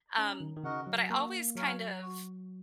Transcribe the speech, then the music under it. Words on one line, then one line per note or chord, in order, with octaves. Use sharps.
um, but I always kind of,
C#4 D#4
D#3
D#3
C#3 F#4 A#4 D#5 F#5
F#3
A#3 F#4
F#3 A#4 C#5 F5 G#5
F#4